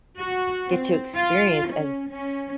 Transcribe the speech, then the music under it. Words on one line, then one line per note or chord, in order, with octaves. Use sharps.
get to experience as
F#4
C4
F4
C#4
C#4